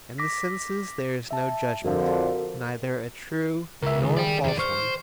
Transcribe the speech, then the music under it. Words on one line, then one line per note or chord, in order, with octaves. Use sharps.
In the senses there is no judgement--neither a true nor a false one.
D6 A#6 B6
E5 A5
F2 D3 F3 F#4 A#4 F5
C#2 A#4 E5
D#3 G#4
D5 G5
E2 D5
C5 C#6 F6